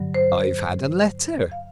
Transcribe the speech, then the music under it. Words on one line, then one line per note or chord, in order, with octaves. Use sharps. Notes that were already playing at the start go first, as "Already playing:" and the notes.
"I've had a letter."
Already playing: G2 D3 F#3
C5
F5